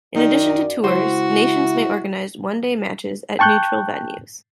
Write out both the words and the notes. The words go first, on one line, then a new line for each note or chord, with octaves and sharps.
In addition to tours, nations may organise one-day matches at neutral venues.
F#2 D#3 D#4 D5
C#2 E4 F#4 C5
G5 A5 C#6 F#6 G6